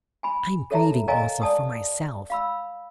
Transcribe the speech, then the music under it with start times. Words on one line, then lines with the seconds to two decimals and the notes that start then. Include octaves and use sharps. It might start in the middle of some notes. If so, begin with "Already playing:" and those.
I am grieving also for myself.
0.23 G#5 B5
0.71 A4 C#5 E5 A5 A#5
1.08 A#4 C#5 D#5 F5 G#5 A#5
1.42 D5 A5 D#6
2.30 F5 B5 E6